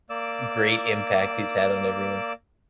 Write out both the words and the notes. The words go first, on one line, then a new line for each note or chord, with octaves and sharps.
great impact he's had on everyone.
A#3 D5 D6 E6